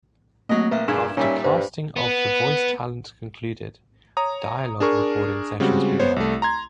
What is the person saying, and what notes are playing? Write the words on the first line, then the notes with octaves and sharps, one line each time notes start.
After casting of the voice talent concluded, dialogue recording sessions began.
F#3 A3 A#3 C4 D#5
A#1 B4 E5 F5
G2 A#2 G#4 G#6 E7
A#2 G3 C#4 D#4 E5
G2 C5
B3
C#5 A#5 D#6
D4 G#4 A#4 C#6
C#3 G3 G#3 C4 F#4
B3 C5 C#5
C2 A3
A#5 C6 G#6